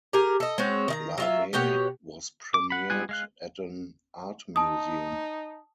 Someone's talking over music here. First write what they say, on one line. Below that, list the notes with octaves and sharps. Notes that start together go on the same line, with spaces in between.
"Larvae" was premiered at an art museum.
G4 G#4 A#4 G#5
A4 D#5
G#3 C4 C#4 F#4
D#3 D#5 A#5
F#3 F4 E5
B2 G4 C#5 F#5
D6
F#5 B5
G3 B3 F4 G#5 F#6
G#3 F5 F#6
D#4 A5 D#6